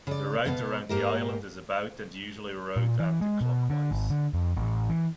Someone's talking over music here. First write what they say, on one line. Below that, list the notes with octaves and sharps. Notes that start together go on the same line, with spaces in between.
The route around the island is about and usually rowed anticlockwise.
C#3 D5
B2 B3 F5
G#2 A#3 G4 A#4
A#2
E3
G#3
B2
D3
G#1
D3
F2
A1
E3